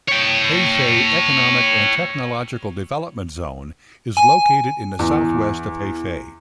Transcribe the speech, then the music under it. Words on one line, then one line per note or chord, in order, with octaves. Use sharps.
Hefei Economic and Technological Development Zone is located in the southwest of Hefei.
C#5 G5
G#5
E2